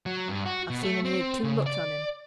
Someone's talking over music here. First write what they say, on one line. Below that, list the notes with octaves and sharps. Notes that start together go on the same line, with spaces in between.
'I've seen and heerd too much on him.'
F#3
G2
F#4
B2
A3
C4
C#3
D5